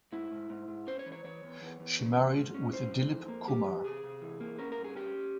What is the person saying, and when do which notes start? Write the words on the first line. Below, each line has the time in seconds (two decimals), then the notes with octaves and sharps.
She married with Dilip Kumar.
0.12 G#2 E4
0.31 G#2
0.50 G#2
0.68 G#2
0.87 C#4 C5
0.99 C#5
1.06 E3
1.12 C#5
1.24 E3 C#5
1.43 E2
1.62 E2
1.80 E2
1.99 C#3
2.17 E2
2.36 G#2
2.54 C#4
2.73 G#2 C5
2.92 E3
3.11 F2
3.28 A#3
3.47 E3 G4
3.66 E3
3.84 C3 G#4
4.03 C3
4.22 E3
4.40 A#3
4.58 C#4 A#4
4.72 A#4
4.77 G2
4.84 G#4
4.96 C#4 G4